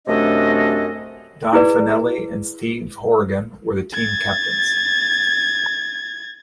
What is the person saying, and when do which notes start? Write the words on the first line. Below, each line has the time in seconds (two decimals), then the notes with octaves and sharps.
Don Fanelli and Steve Horrigan were the team captains.
0.07 F#2 C3 A3 D4 A4 D#5
1.53 E4 G#4 B4 D5
3.94 G#6 A6